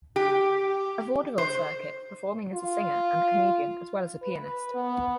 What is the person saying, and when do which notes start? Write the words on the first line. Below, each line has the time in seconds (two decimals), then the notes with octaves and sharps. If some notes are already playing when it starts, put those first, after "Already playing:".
A. vaudeville circuit, performing as a singer and comedian as well as a pianist.
0.16 G4
1.38 C5
2.54 F4
4.22 B4
4.74 B3